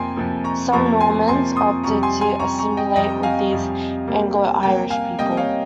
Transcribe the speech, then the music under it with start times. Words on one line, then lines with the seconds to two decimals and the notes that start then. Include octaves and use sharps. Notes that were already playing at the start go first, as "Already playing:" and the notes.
Some Normans opted to assimilate with these Anglo-Irish people.
Already playing: F2 C3 F3 A#3 G5 G#5 A#5 C6
0.16 F2 C3 F3 A#3
0.44 A#5 C#6
0.72 F2 C3 F3 A#3 A#5 C#6
1.01 G#5 C6
1.28 F2 C3 F3 A#3 G#5 C6
1.56 C6 D#6
1.84 F2 C3 G3 A#5 C#6
2.03 G#5 C6
2.21 G#5 C6
2.39 F2 C3 G3 A#5 C#6
2.58 A#5 C#6
2.77 D#5 G5
2.95 F2 C3 G3 D#5 G5
3.23 F5 G#5
3.51 F2 C3 G3
4.07 C3 G3 A#3
4.63 C3 G3 A#3 G5 A#5
4.90 F5 G#5
5.19 C3 G3 A#3 D#5 G5
5.37 C#5 F5